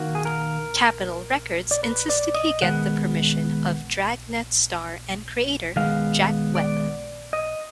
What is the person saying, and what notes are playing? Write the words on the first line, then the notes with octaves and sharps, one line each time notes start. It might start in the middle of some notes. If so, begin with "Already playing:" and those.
Capitol Records insisted he get the permission of "Dragnet" star and creator, Jack Webb.
Already playing: D#3 A#3 F#4
G#4
A#4
D5
B4
D5
D#5
D#3 G#3 B3 F#5
D#3 G#3 B3 F5
D5
D#5